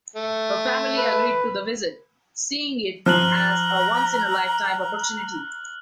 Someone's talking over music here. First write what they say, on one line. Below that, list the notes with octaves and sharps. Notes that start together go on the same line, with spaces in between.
Her family agreed to the visit, seeing it as a once-in-a-lifetime opportunity.
A3
B4
F3 A#5 F6 F#6 F#7